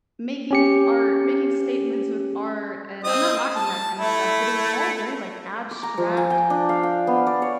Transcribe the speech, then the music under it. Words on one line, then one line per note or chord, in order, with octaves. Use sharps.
making art making statements with art, and I'm not knocking that kind of stuff, but it was all very like abstract,
C#4 G4 C#7
C4 D#5
A5
A3 E4
D6
A#5
F3
G#5
G5
D4
F5
G5
B3
D5
C#5